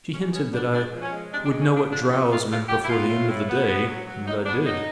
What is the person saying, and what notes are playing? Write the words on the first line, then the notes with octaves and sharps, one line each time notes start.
She hinted that I would know what drows meant before the end of the day, and I did.
G#3 C#4
B3 C#4
B3 D4
G#3 D4
F3
C#4
G#3
C3 D4
D4
G#3
C#4
B3
D4
F3 D4
B3 D#4
G#3 F4
A2 F4
F#3 G4
E4
B3 F4
A2
A2
B3
B3
F#3
F#3
A2 D#4
B3 D4
F#3 D#4